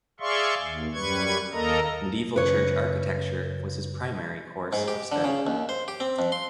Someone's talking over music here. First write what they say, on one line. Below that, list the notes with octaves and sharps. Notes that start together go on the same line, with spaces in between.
Medieval church architecture was his primary course of study.
G#4 D5 E5 F5 C6 C#6
D#2
F#2 G3 B4 C#6 G#6
D#2 A#3 A4 A#4 D#5 A#5
F#2 C#3 B4 C#5
G#2
G4
D3
C#3
D#2
C5
G4
C4
F2
C6